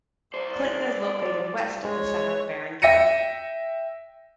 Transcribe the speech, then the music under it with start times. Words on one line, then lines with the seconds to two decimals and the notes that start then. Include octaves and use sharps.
Clinton is located west of the center of Barron County.
0.34 C2 C5 D5
1.85 G#3 C#5
2.82 E5 G5 A#6 C#7 D#7